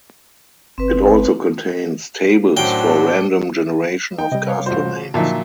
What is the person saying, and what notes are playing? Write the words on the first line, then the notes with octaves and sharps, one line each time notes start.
It also contains tables for random generation of castle names.
G1 C4 B4
F#2 A2 F#3 D4 C5 G5
D#4 G5
C3 G3 D#5
B4 C#5 F5
A1 F4 F#4 C5
A#2 D3 F3 F#3 D#4 E5 A5